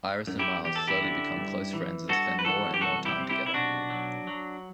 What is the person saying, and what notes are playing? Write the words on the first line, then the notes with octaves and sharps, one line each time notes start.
Iris and Miles slowly become close friends and spend more and more time together.
F#2
E4 G4
E2 G4
A4
E4 G4
D3
G2
E3
G2 F#4 A4
B4
E3 F#4 A4
G4
C2 F#4 A4
E4 G4
C3
E4 G4
E4
B1 D4 F#4
F#3
F#3